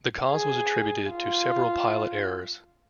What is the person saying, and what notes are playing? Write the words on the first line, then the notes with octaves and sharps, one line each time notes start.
The cause was attributed to several pilot errors.
G#4
F4